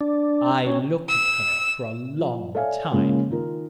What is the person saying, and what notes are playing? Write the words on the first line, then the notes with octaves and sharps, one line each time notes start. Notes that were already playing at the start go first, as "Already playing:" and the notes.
I looked at her for a long time.
D4
C#4
E6
F3
A4 C#5 D5 E5 F5 G#5
C#3 F3 G#3 A#3 C#4
D#3 D#4 F4 A#4